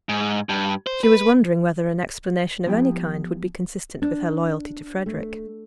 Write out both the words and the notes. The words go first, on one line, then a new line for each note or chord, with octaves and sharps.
She was wondering whether an explanation of any kind would be consistent with her loyalty to Frederick.
G#2
G2
C5
B4
F3 B3 E4 G4 G5
D4
A3